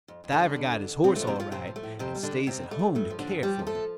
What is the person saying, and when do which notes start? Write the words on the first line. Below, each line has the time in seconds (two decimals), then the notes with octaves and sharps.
Stiver got his horse all right, and stays at home to care for him.
0.08 F2
0.24 F2
0.32 D3 D4
0.40 G3
0.56 F2
0.72 D3
0.88 F2
1.04 C3 F3 C4
1.16 A3
1.20 F3 D4
1.27 C3 C4
1.36 A2 F3 F4
1.51 A2 C3 C4
1.67 F3
1.76 A3
1.83 A2
1.99 F2 C3 C4
2.15 G3
2.23 D3 D4
2.31 F2
2.47 C3 G3 C4
2.63 F2
2.71 A3
2.79 F2
2.95 G2 A3
3.10 F3
3.19 D3 D4
3.27 G2
3.43 F3 G3 G4
3.59 F3
3.67 A3 A4
3.75 F3